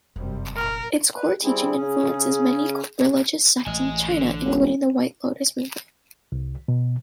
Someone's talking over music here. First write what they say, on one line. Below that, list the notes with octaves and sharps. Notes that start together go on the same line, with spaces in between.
Its core teaching influences many religious sects in China, including the White Lotus movement.
F1 F#2 C3 G3
A#1 F#2 A#2 A#4 F6
B4
G3 C4 E4 G#4
C#3 C#4
A1 D#5 G#5
D3
E1 C#4
C2
B2